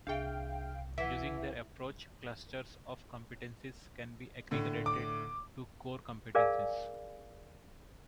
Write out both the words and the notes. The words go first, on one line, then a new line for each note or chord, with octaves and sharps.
Using their approach, clusters of competencies can be aggregated to core competencies.
C2 D4 G#4 E5 F5 G5
E3 E5 F#5 B6
A2 D3 A3
D6
G#4 A#4 D5 F5 G#5